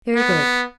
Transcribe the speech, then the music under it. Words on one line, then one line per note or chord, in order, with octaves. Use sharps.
"Very good."
B3